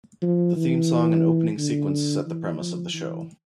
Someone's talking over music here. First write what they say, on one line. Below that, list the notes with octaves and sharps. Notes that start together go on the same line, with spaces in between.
The theme song and opening sequence set the premise of the show.
F3
E3
D3
E3
F3
E3